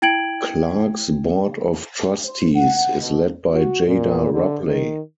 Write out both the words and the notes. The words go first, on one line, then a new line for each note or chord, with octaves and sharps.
Clark's Board of Trustees is led by Jada Rupley.
E4 G5 G#6 D7 F#7
C5
F#5
B2
F#4
A#2
D3
D#3